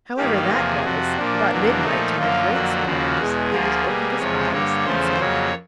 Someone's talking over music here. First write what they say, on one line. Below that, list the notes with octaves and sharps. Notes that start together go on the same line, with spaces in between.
However that was, about midnight, to my great surprise, Peters opened his eyes, and smiled.
G2 D#3 G3 A#3 G4
E2 C3 F3 A#3 G#4
F2 C3 F3 F#4
A#2 F3 A#3 D4
E2 B2 F#3 A#3
A#2 F3 A3 D#4
F#2 D3 F3 A#3 F4
F2 D3 F#3 A#3 F#4
D#2 C#3 F3 A#3
E2 B2 G#3 G#4
D2 D3 F3 A#3
B2 G3 A#3
E2 C3 F3 G#3 C#5
G2 D3 G3 A#3 C#5
E2 C#3 F3 A3 C5
F2 C#3 F#3 A#3 C#5